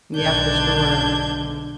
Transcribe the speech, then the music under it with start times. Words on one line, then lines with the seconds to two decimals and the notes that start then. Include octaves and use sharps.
Yeah, for sure.
0.16 B1 G#2 D3 D4 G6 G#6